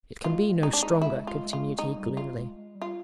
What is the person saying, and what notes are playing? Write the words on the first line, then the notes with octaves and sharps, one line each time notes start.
It can be no stronger,' continued he, gloomily.
G#3 F4
D#4
D4
D#4
E4
F4
F4
G#3 D#4
G3
F4
G#3
G#3
G3
F4